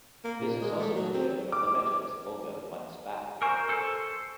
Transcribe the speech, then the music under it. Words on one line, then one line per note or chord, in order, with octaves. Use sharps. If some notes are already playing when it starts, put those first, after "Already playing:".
This is also clear from the letters Olga wants back.
A#3
A#2
G#3
A3
F#3
C4
D6
A#4 C5 G#5 C#6
A4 C5